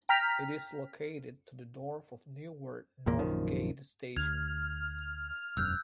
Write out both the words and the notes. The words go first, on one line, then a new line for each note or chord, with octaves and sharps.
It is located to the north of Newark North Gate station.
G5 A#5 F6 B6
G#1 E2 A#2 A#3
A#1 F#2 D#3 F3
D2 F6 G#6
E1 F#2 E6 F#6 G6